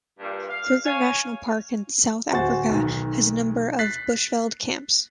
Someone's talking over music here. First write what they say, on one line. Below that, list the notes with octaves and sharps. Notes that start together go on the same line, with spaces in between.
Kruger National Park in South Africa has a number of 'Bushveld' camps.
G2 A#2
F5
C#5 F5 G#5
D1 F#4 C5 G#5 A6
B1 D#3
F#6 A6 B6 C7